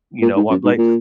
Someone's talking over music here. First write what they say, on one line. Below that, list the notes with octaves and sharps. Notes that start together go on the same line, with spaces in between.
You know, what, like
A#2
G#2
F#2
G#2
A#2